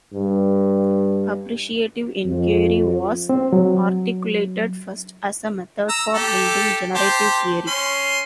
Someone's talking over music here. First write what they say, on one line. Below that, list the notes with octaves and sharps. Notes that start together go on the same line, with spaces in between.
Appreciative Inquiry was articulated first as a method for building generative theory.
G2
F2
C4
F#3
A#5 E6
G4 A4
G4 C5 A5
C#4 C6